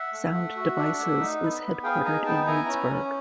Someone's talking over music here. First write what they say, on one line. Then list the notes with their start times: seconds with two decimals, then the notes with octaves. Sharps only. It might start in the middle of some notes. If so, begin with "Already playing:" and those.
Sound Devices is headquartered in Reedsburg.
Already playing: E5 F#5
0.13 A3
0.34 A3
0.56 F#4
0.77 D4
0.99 A3
1.20 D#4
1.41 B3
1.61 B3
1.83 G#4 F5 G5
2.05 D#4 G#5 A#5
2.25 B3 G5 A5
2.47 E4 G#5 A#5
2.68 C#4
2.90 C#4